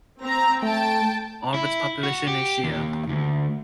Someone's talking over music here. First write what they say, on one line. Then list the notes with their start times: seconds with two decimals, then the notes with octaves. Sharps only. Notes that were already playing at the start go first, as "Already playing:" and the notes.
All of the its population is Shia.
0.22 C4 A#5
0.62 A3 G5 A5
1.54 E4
2.03 F#4
2.28 G4
2.64 D#2
3.09 D2